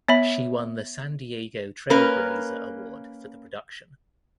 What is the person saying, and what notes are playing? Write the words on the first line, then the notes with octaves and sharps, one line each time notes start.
She won the San Diego Trailblazer award for the production.
B3 C#5 E5 B5
A#3 C#4 A#4 B4